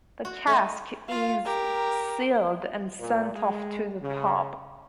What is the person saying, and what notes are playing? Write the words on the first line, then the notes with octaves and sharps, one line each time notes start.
The cask is sealed and sent off to the pub.
F#4
A3 D#4
F4 F5
G4 A#4
A#2
G#3
C#3